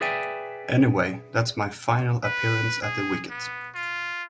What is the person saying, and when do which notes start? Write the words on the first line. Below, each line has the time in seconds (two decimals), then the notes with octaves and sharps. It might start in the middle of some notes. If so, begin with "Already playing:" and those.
Anyway that's my final appearance at the wicket.
0.01 G#4 B4 D5 E5 G5 G#5
2.24 B4
2.82 G#4
3.30 B3
3.75 F4